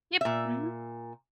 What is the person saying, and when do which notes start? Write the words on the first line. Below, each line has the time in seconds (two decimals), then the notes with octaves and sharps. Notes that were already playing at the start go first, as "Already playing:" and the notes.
Yep, mhm.
0.21 A#2 E5